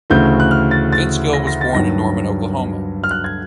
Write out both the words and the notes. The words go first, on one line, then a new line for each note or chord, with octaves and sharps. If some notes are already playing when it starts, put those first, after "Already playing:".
Vince Gill was born in Norman, Oklahoma.
D2 C#3 E3 A3 G6
F#6
F6
A6
A6
A#6
A#6
A6
G2 D#3 F#3 A#6
F6
F#6
G#6